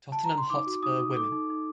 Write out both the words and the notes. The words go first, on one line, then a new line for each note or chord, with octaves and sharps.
Tottenham Hotspur Women.
A5
A#5
C6
D#4 D6
F#4
D#4 D#6
D#4
A4 D6
D#4
D#4